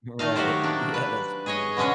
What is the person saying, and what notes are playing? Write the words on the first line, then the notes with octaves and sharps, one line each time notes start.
Right. Yeah, that's funny, yeah.
D#3 A3 D#4 F5
F#3 F#4 G4 C5
A#3 D4
B4
G#4 C#5 D#5
B2 D3 G#3 C#4 G#4